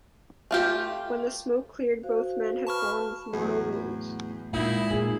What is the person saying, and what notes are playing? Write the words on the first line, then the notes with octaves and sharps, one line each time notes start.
When the smoke cleared both men had fallen with mortal wounds.
A3 F4 G4
F#4 C5 F5
B4 A5 B5 C#6 F6
E2 A2 F#3
E2
A#2 G#3 D#4 E4 E5
A#2 G#4